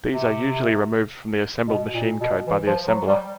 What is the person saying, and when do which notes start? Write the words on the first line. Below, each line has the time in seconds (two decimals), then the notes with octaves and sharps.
These are usually removed from the assembled machine code by the assembler.
0.08 C3
1.68 B2
1.94 A#2
2.21 B2
2.47 E3
2.67 F3
2.88 F#3
3.07 G3